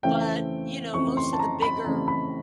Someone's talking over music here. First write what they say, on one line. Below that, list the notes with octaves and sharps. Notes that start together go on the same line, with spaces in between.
But, you know, most of the bigger
F2 C#3 E3 A3 C4 G5
F2 C#3 E3 A3 C4 C#6
C6
A5
A#5
B5
F2 C#3 E3 A3 C4 A#5
B5